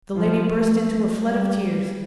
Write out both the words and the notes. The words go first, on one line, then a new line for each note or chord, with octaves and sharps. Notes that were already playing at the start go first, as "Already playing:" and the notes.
The lady burst into a flood of tears.
F3
A3
G3